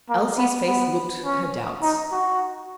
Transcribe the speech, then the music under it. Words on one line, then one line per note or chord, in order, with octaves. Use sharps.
Elsie's face looked her doubts.
A#3
B3
B3
C#4
D#4
F#4